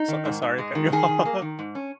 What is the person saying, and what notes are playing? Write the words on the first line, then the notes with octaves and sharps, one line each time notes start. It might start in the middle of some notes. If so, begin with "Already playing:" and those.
So, uh, sorry, cut you off.
Already playing: D#4
D#3
G#2
G#2
G#3
D#3
D#3 G#4
D#3
A#3
D#3
G#2
C#4